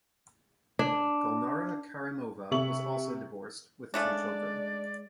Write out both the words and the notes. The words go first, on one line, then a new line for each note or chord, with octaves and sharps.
Gulnara Karimova was also divorced with two children.
D4
C3 E5 C#6 F#7
C#3 G#3 A3 D4 D5